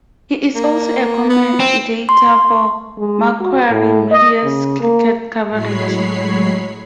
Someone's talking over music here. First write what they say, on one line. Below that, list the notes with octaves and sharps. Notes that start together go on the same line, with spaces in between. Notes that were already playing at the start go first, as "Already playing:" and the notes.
He is also a commentator for Macquarie Media's cricket coverage.
A#3
B3
C4
C6
G#3
F#4
A2
D#5
C#3
A#3
A2 F#3 G#3 C#5 B5 C7